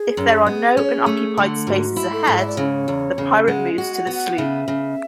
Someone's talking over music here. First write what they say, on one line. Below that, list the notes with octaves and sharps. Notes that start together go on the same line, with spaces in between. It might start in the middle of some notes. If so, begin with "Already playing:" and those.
If there are no unoccupied spaces ahead, the pirate moves to the sloop.
Already playing: G#4
F#2
B3
C#4
A3
D3
G#2 F#4
E4
A4
G#2
E5
D5
C#3 C#5
E2
C#3
G#3 F#5
F#4
F#5
B3
F#5
C#3 E5
C#3